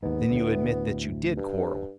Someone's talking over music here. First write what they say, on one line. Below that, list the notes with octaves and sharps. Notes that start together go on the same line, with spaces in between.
"Then you admit that you did quarrel?"
D#2 G#2 B3
D2 A2
G2